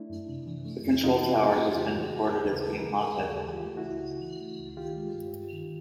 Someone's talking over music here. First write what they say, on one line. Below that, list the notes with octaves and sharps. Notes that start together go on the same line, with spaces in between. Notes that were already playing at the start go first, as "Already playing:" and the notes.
The control tower has been recorded as being haunted.
Already playing: A3 D4 E4
F#2
C3
E3
A3
F2
C3 D#4 F4
E3
E4 F#4
A3
F4 G4
F2
C#3 F4 G4
E3
F#4 G#4
G#3
G#4 A#4
D#2
C#3 A4 B4
E3
G#4 A#4
G#3
G#4 A#4
D#2
C#3 G4 A4
E3
F4 G4
A3
E4 F#4
C#2
C#3
E3
A3
C#2
D#3 F4 G4
G#3
G2
G2
D#3